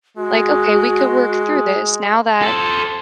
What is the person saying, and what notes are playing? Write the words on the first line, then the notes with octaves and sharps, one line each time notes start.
Like, "Okay, we could work through this now that
G#3 F#4
A4 C5